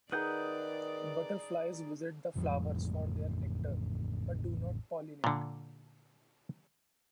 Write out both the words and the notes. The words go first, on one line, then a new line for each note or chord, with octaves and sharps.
Butterflies visit the flowers for their nectar, but do not pollinate.
D#3 D#4 G#4 B4 D5 F#5 G6
A1 F2 A2 F3
A#2 D3